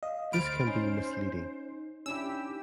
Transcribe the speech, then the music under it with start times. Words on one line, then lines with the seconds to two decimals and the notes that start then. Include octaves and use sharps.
This can be misleading.
0.03 D#5 F5
0.33 D2 C5 B5 F6 A6 D7
0.67 C#4 D#4
2.06 C#4 D4 E4 G4 E6